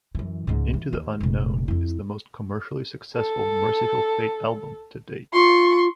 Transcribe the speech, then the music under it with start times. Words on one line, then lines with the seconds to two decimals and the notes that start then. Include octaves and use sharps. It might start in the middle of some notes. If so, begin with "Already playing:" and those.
"Into the Unknown" is the most commercially successful Mercyful Fate album to date.
0.15 F#2 E3
0.47 C#2 G#2
0.74 E3
0.93 D#2
1.20 F1 A#1
1.68 F2 E4
3.16 A4
5.33 F4 C6 C#6